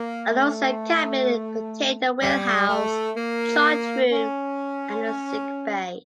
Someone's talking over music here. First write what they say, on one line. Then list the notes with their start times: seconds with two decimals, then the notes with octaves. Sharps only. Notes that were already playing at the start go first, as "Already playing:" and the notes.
A low set cabin contained the wheel-house, chart room and a sickbay.
Already playing: A#3
0.32 A3
2.22 G3
2.69 A3
3.17 A#3
4.12 C#4